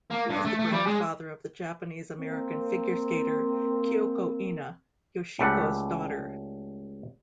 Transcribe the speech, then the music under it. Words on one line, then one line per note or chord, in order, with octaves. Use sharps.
He is the grandfather of the Japanese-American figure skater Kyoko Ina, Yoshiko's daughter.
A#3
G2
A3
A3
G3
G#3
A#3 C4
C#2 G3 A3 F#5